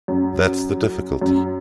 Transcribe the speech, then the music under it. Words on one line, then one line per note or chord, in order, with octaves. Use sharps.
That's the difficulty.
F#2
F#2